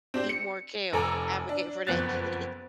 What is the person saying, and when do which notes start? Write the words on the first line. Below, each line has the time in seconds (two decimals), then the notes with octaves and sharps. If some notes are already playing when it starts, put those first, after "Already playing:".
Eat more kale, advocate for that.
0.14 C4 D4 G4
0.29 C#7
0.93 F1 A4 G#5 A#5 D6 E6
1.49 D4
1.87 F#1 F2 B3 F#6 A6